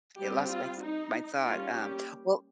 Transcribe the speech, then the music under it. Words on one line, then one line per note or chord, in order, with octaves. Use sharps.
I lost my th my thought, um, well
G3 C4 G4
F4
D#4
G3 A#3 C#4 F4
G4